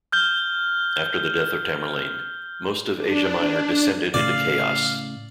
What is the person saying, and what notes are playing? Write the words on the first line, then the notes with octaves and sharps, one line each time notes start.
After the death of Tamerlane, most of Asia Minor descended into chaos.
F6 G6 G7
D4
A2 C#3 D5 F5